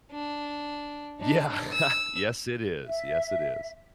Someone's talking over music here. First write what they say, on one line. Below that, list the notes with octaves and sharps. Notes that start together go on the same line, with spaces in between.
Yeah. Yes. It is. Yes. It is.
D4
D4 D#4
E6
E5